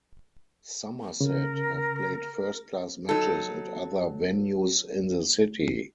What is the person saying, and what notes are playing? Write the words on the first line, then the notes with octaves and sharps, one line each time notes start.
Somerset have played first-class matches at other venues in the city.
C#3 A#4
F#3 D#4 A4